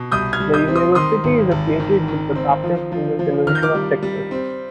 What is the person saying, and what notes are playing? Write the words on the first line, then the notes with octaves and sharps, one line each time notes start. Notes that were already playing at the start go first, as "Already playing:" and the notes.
The university is affiliated with the Baptist General Convention of Texas.
Already playing: B2
C2 D#6 G6
F6 G#6
G3
D#6 G6
C4
C6 D#6
D#3 C6 D#6
G#1
G#1
D#3
D#3
C4
F3
F3
F3
D#3 F6
G6
D6 F6
G3
G3
C4